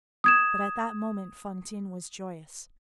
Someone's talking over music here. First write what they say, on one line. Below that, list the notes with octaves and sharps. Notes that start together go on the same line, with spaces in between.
But at that moment Fantine was joyous.
D#6 G#6 E7